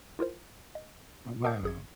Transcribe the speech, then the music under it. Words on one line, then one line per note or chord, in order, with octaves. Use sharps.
Oh, wow.
E4 F4 A#4 C5
D#5
A#4 D#5 G5 A5 D6 G6
G#1 G#4 G#6